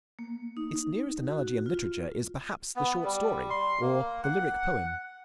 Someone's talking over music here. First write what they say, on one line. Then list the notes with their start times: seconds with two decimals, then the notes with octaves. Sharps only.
Its nearest analogy in literature is, perhaps, the short story, or the lyric poem.
0.19 A#3
0.57 D#4
1.27 F#4
1.66 F4
2.76 B3
3.04 G3
3.50 C6
3.81 A#3
4.23 F#5